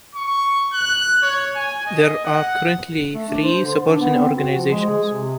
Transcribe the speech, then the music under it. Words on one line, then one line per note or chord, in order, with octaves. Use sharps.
There are currently three Supporting Organizations.
C#6
F#6
C#5
G#5
D#5
F#5
A3
D4
C5
D3
D4
B3
C4
F#4
F3
G#3
G#4
C3